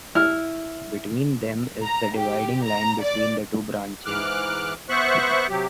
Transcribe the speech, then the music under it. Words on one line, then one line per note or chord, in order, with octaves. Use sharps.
Between them is the dividing line between the two branches.
E4 F6
A#5
G4
A#5
D5
G#2 E3 D6 F6 F#6
B3 C5 E5 C#6 F#6
C3 F#3 G4